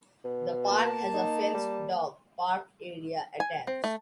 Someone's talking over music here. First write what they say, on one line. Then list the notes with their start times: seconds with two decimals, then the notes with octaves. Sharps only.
The park has a fenced dog park area attached.
0.24 B2
0.66 A#3 A5
1.14 D#4
1.54 G3
3.40 G#5
3.67 C4
3.84 A3